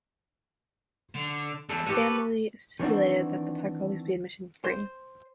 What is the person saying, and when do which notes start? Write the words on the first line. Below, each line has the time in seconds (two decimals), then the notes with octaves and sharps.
The family stipulated that the park always be admission-free.
1.15 D3
1.69 E2 A4
1.86 F#4 G4 A4 B4
2.80 D#3 E3 C4 D4 F#4
4.64 C5